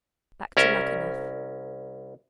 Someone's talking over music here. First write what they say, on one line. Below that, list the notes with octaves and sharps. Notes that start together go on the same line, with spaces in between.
"Back to Luckenough."
C2 C#4 A#4 E5